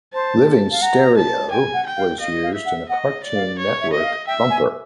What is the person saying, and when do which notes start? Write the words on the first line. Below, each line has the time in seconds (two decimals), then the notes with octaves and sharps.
"Living Stereo" was used in a Cartoon Network bumper.
0.13 C5 A5
0.71 F5
0.82 F#5 A#5
1.17 A5
1.50 G5 G#5
1.73 F#5
1.86 G5
1.97 F5
2.20 D#5 F5
2.43 F5
2.54 E5
2.65 F#5
2.89 D#5 F#5
3.23 D5
3.35 F5
3.58 C#5
3.81 E5
3.93 D#5
3.99 E5
4.04 F5
4.27 E5 G5
4.50 G#5